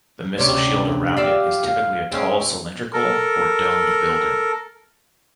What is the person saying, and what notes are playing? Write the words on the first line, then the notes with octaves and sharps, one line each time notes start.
The missile shield around it is typically a tall cylindrical or domed building.
D2 C3 C#4 D5
F4 G4 D5 E5
F5
G#3 C4 C#4
A4 A#4